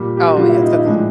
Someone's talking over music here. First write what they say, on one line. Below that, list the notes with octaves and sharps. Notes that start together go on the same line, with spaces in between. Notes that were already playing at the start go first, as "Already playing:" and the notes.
Oh yeah, to them
Already playing: A#2 G3
G4
F#4
A#2 G3 F4
E4
D#4
E4
A2 F3 G#3 D4